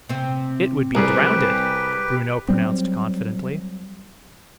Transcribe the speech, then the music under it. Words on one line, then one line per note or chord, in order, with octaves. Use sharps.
"It would be drownded," Bruno pronounced confidently.
C3 C4
C2 G3 G4 G#4 A#4 B4 G5
F#3 G3 C4